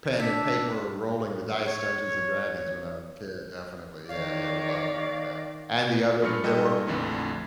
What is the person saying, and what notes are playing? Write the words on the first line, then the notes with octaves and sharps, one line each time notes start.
pen and paper, rolling the dice Dungeons& Dragons when I was a kid, definitely, yeah, yeah, we loved d doing that. And the other we there were
D4 E5
C#5
D#3 C#5 D5 F5
G2 A#2 F3 F6 C#7
G#2 G3 A4 D#5 G5
A#1 F2 D3 E3 A3